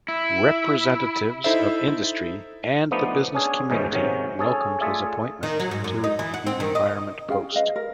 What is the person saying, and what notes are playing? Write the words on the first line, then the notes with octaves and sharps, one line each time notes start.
Representatives of industry and the business community welcomed his appointment to the environment post.
E4
D#4 E4 A4 C5 E5
F3 A3 B3 D4 D#4
C#4 D4 G#4
D#2 G#2 B2 E3 C#4 D#4
G#2 C3 D#3 F#3 C#4
C#4 G#4 A4
A3 F4 G#4 D5 E5
D#3
F#3
G#2
F#2
D#4
E3
F#4
C4
D#3
D#5
C#4 G#4 F5 G5
B4 D#5 F5
A#4